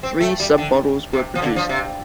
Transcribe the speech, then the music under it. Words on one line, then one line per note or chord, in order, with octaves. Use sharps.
Three submodels were produced.
C4
A3
G3
D3
C3
F3
D3
F3
C3